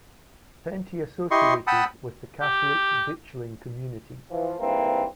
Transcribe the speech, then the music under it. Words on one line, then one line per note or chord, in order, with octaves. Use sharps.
Penty associated with the Catholic Ditchling Community.
E4 G4 D#5 C6 C#6
F#5 G5 A5 B5 D#6 E6
G4
E3 F3
G#1 G2 E3 A#3 C4